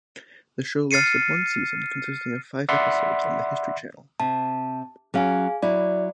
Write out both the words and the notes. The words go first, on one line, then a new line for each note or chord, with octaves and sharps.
The show lasted one season consisting of five episodes on The History Channel.
F6 A6 C7 C#7 D#7
D5 E5 F#5 B5 C6
C3 A5
F#3 C#4 G#4 F5 G#5
F#3 E4 D5